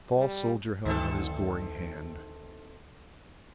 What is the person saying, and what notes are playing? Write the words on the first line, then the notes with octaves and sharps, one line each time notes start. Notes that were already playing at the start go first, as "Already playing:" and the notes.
The tall soldier held out his gory hand.
G3
D2 D#3 C4 A4